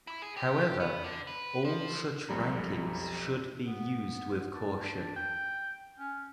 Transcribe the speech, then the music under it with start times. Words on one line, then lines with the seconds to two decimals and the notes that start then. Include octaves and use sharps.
However, all such rankings should be used with caution.
0.07 E4
0.22 G#4
0.37 G4
0.80 B3
1.04 D3
1.27 B4
1.65 F3
2.29 B1 F2 G3 A#5
3.66 B3
4.54 D4
5.16 G5
5.99 C#4